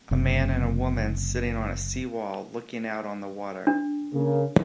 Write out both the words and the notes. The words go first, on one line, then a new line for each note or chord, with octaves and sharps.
A man and a woman sitting on a sea wall looking out on the water.
F#1 C3
D4
C#3 A#3